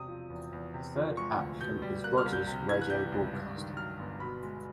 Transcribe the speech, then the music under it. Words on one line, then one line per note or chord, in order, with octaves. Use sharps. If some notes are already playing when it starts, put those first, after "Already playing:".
The third applicant was Rogers Radio Broadcasting.
Already playing: E1 C3 D#6
F3
E2
E2
C3
F3
G#3 C#6
D2
B2 G6
G3
A#3 F#6
F6
C2
G6
C3
E3 G#6
F#6
G3 G6
C#2
G2
D#3
F#3 F6
G1
B2 B5
G#3